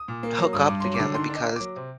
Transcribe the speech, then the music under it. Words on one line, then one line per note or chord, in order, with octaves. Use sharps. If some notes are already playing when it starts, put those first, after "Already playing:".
hook up together because
Already playing: D#6
A#2
A#3
F#3
G2 D#6
G2 D6
F#3 C6
D6
D3
D#3 C6
D4
D#5
A#3
F#3 D6
C3